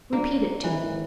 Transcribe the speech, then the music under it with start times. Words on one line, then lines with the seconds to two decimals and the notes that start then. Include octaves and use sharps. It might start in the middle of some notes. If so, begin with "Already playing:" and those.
"Repeat it to me."
0.13 F3 A#3 D4
0.64 G#1 E3